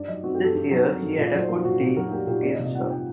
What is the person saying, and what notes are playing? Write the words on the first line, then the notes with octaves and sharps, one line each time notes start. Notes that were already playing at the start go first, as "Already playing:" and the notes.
This year he had a good deal against her.
Already playing: G2 D5
F#3 D#5
C4 F#4
G4
G2 A4
G2
F#3
C4 A#4
G2
A#2 D#5
D5
F#3
C5
A#3 A#4
A#2 F#4
A#2 G4
F#3 A#4
A#3 G4
A#2 G4
A#3 D5
D#5
C3
D#5
G3 F#5
G5